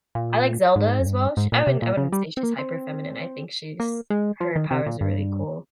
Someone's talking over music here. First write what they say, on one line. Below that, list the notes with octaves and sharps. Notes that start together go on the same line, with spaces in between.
I like Zelda as well. Sh I wouldn't I wouldn't say she's hyper feminine. I think she's her powers are really cool
A#2
G#2
F2
G2
G#2
A#2
C3
A#2
C#3
G3
C4
A#3
C4
A#3
G#3
F3
D#3
C3
A#2
G2